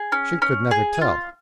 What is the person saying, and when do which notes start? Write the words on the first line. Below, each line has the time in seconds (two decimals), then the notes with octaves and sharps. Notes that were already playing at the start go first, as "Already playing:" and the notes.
She could never tell.
Already playing: G#4
0.12 C#4
0.42 C#4
0.71 G#4
1.01 F4